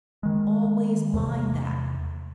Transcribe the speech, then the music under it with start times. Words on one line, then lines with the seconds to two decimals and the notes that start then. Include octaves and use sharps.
Always mind that.
0.23 D#3 G#3
1.14 E2 C3